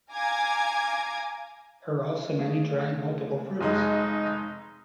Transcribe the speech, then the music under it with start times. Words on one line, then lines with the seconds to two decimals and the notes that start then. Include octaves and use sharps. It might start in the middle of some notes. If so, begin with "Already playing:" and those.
There are also many dry multiple fruits.
0.13 F5 G#5 A#5 D6 G#6
2.39 A3 G#4 D5 F5
3.61 F1 G#3 D#4 D#5